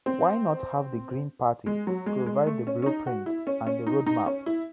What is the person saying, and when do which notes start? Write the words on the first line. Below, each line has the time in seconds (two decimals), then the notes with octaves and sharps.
Why not have the Green Party provide the blueprint and the road map?
0.06 C4
1.66 G#3
1.87 F#3
2.06 G#3
2.26 G#3
2.46 A3
2.67 C#4
2.82 C#4
2.86 D#4
3.07 F#4
3.26 E4
3.47 C#4
3.67 C#4
3.87 D#4
4.06 D#4
4.26 C#4
4.46 E4